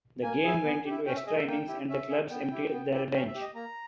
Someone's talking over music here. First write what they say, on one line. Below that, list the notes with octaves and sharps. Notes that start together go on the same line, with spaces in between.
The game went into extra innings and the Cubs emptied their bench.
A#3 G#5
E4 G#4
B3
E4 G4
C#4 G5
E5
G#4 D#5
E5
A#3 G5
E4 G4
C#4 E5
G#4
B3 G5
E4 G4
B3
E4 G4
C#4 G5
E5
G4
D#5
A#3 A#5